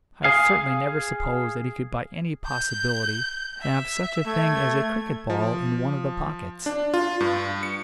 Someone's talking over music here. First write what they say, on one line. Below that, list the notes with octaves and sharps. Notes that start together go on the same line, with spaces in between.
I had certainly never supposed that he could by any possibility have such a thing as a cricket-ball in one of the pockets.
G#4 F5
G6
E5
A3 G#6
F3
D4
F4
G2
C#7